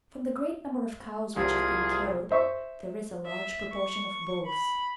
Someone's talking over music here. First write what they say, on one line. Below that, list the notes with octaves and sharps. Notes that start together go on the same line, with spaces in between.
From the great number of cows which have been killed, there is a large proportion of bulls.
C2 C3 G3 F4 G#4
C5 E5 C#6
E5
C#6
B5